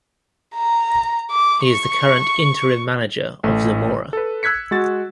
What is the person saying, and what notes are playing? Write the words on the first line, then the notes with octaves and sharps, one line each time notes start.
He is the current interim manager of Zamora.
A#5
D6
C#6
A1 A3
A4 B4
E6 F#6 G#6 B6 C#7
G#3 F#4 A6